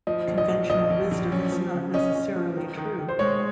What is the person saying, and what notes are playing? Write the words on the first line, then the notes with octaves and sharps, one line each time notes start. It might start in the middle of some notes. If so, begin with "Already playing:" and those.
Conventional wisdom is not necessarily true.
F3 D#5
A#1
D#5
F3
A#1 D#5
A#1
A#1
C#4
F3
C#3
C#4 D#5
C#4
F3
D#3
D#3
D#3
C5
G#3 C#5